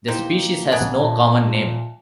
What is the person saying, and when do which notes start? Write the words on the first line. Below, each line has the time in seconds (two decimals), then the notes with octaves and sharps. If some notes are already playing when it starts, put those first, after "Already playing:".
The species has no common name.
0.08 A#3 D#4 E4 G4 C5
0.72 B3 D4 G#5 D#6
0.98 A#2 E5 A5